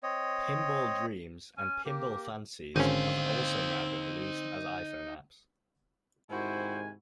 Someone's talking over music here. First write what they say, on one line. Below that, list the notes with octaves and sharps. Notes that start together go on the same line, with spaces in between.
"Pinball Dreams" and "Pinball Fantasies" have also now been released as iPhone apps.
C4 C#5 D#5
C#4 G#5
A#3 G4
G#1 D3 C4 C#4 D#4 F5
G#2 C3 D#3 E4 F#4 C5 G#5